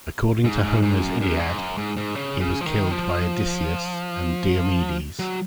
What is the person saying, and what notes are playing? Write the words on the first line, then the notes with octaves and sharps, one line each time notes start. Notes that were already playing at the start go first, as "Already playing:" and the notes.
According to Homer's Iliad, he was killed by Odysseus and Diomedes.
G#2
G#2
G#2
F#2
F#2
G#2
F#2
G#2
G#2
C#3
C#3
F3
D#3
F3
F#3